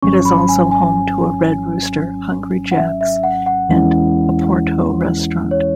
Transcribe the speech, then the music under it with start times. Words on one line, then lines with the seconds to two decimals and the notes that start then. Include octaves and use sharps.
It is also home to a Red Rooster, Hungry Jacks and Oporto Restaurant.
0.02 G#1 G#2 F#3 C#4 C#6
0.25 B5
0.49 G#5
0.71 G#5
2.72 F#5
2.77 E5
3.01 E5
3.23 F#5
3.46 F#5
3.69 E2 E3 G#3 C#4 E4
5.51 C#5